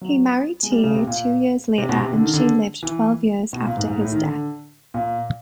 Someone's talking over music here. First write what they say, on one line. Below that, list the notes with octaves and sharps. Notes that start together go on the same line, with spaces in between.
He married Tiye two years later and she lived twelve years after his death.
F#3
G#3
G3
C#3
C3
A#2
C3
B2
C3
D3
D#3
D3
E3
B2
A#2
G#2
G#2
A2
D#3
D3
A#2